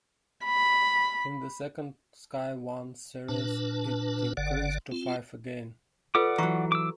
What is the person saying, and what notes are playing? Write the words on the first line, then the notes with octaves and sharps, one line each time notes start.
In the second Sky One series, it increased to five again.
B5
A#2 D4 B4 A5
G1 D3 D5 F#5
C4 F4
F4 A4 B4 D5 F#5 D6
E3 F#3 A#5 C#6
D6 E6